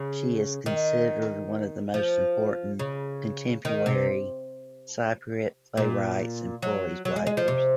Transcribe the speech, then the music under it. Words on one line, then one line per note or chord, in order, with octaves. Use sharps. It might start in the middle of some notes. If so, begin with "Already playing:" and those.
She is considered one of the most important contemporary Cypriot playwrights and prose writers.
Already playing: C#3
D#3
F3
C#3
D#3
C3
A#2
F#3
F#3
G#3
G#3
F3
C3